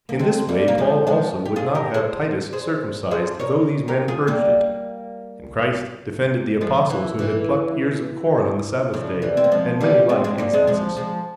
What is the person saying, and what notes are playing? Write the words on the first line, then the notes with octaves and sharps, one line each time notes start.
In this way Paul also would not have Titus circumcised, though these men urged it; and Christ defended the Apostles, who had plucked ears of corn on the Sabbath day; and many like instances.
A#3
G#3 C4
G3 A#3
A#3
F3 G#3
F3 G#3
G4
F4 G#4
G4 A#4
G#4 C5
G#4 C5
G#4 C5
A#4 C#5
G4 A#4
F4 G#4
G3 A#3
F3 G#3
E3
E3
C#3 F3
E3 G3
C4
A#3
F3 G#3
G3 A#3
G#3 C4
G#3 C4
G3 A#3
G#3 C4
F3 G#3
F3 G#3